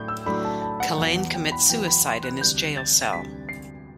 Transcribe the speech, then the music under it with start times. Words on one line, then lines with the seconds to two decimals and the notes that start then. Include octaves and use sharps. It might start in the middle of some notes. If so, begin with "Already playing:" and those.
Kalain commits suicide in his jail cell.
Already playing: A2 F#3 A3 D4 G6
0.08 E6
0.26 A2 F#3 A3 D4 B5
0.45 A5
0.62 A5
0.80 F#5
0.98 E2 B2 F#3 B3 F#5
1.16 F#5
1.34 G5
1.52 B5
1.70 E2 B2 F#3 B3 G5
1.88 B5
2.06 C6
2.23 F#6
2.41 D2 C3 G3 D4 G6
2.77 A6
3.01 A6
3.13 D2 C3 G3 D4 B6
3.49 C7